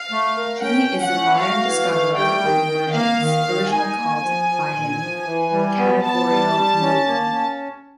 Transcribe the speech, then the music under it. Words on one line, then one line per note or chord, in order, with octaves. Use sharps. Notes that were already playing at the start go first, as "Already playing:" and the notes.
He is the modern discoverer of emergence - originally called by him "categorial novum".
Already playing: F5
A3
A#4
C#4 G5
C#4
F#5
A3
F#4 F5
E3
A3
G3 G5
D#3
D#3
A#3 F5
D#3
D#3
D#4 G#5
A#3
F3
F3
A#2
F3
E3
G3
B3
B3 A5
G3
G3
C#4
A#3
C#4